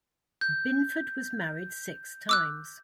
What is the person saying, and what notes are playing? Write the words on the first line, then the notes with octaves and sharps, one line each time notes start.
Binford was married six times.
G6
D6 E6 F#6